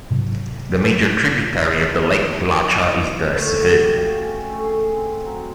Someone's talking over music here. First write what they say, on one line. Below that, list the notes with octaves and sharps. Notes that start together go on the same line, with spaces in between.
The major tributary of the Lake Lacha is the Svid.
G#2 C3 F#3
A3
F#4
G4
F5
C#4
A3
G#4
C4
F#3